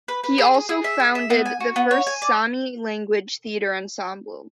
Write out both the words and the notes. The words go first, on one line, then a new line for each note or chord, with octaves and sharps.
He also founded the first Sami language theatre ensemble.
B4
B4
G#4
G#4
G#4
E5
G#4
E5
B3
G#5
F#4
B3
C#5
G#5
D5